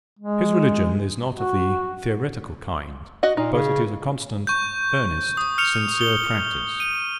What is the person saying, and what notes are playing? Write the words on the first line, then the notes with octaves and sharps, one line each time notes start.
His religion is not of the theoretical kind, but it is a constant, earnest, sincere practice.
G#3
F#4
F#4 D#5 F#5
A#2 D#4
C#3
C#6 G6
D#6
F6 C#7 F7
G7
D#7